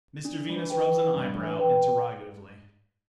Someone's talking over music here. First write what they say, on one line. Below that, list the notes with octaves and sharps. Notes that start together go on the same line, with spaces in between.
Mr Venus rubs an eyebrow, interrogatively.
D4
G3
E3
B4 G5
E3
G2 G3 D4
E3
E3 B4 G5